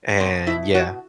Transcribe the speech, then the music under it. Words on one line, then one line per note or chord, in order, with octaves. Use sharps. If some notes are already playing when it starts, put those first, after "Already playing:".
and yeah,
B2 C4
B2 E4
B2 F#4